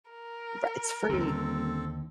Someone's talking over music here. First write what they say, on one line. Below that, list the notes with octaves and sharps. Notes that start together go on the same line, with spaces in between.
Right, it's free.
A#4
D#1 D#2 D3 C4 A4